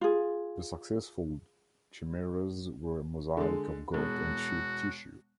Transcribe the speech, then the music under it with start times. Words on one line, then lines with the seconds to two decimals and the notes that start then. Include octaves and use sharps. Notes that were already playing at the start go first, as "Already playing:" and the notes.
The successful chimeras were a mosaic of goat and sheep tissue.
0.01 F4 G#4
3.37 D3 G#3
3.94 E1 F#4